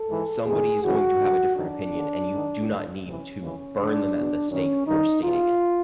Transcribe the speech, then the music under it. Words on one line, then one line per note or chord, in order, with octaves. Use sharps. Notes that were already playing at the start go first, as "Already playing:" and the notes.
somebody's going to have a different opinion, and you do not need to burn them at the stake for stating it.
Already playing: A4
G#2 E3
E2 C3 D#3 G#4
F#2 C#3 E3 F#4
G2 D3
F#2 D#3 D4
D#2 D3
G#2
D#3
D#2 D3
D2 C3 E3 C#4
D#2 C#3 E3
F2 D3 D4
E2 B2
F#2 D#3 C#4
G2 D#3 D#4
E2 B2 F4